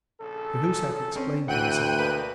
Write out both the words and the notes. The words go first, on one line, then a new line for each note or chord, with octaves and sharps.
Cahusac explained himself.
A#1 C#3 A4
C4 C#4
D2 E3 F#5 G5 F#6 D#7
B2 A#3 B4